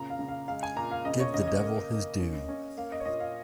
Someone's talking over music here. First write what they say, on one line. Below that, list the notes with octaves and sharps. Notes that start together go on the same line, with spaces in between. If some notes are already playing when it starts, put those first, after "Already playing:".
Give the devil his due.
Already playing: A#2 C#3 A#5
F5
C#3
F5
G#3 F5
G#5
A#2 A#5
F5
C#3 D#5
C#5
C#3 D#5
D#5
A#3
A#3
C#4
C#4
A#3 F5
D#5
C#5
A#2 D#5
F5